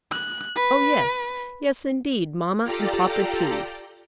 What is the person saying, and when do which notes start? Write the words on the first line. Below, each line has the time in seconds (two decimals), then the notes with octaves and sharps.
"Oh, yes; yes indeed, mamma and papa too."
0.12 F#6
0.56 B4
2.64 F4 G4 A4 D5 G5 A#5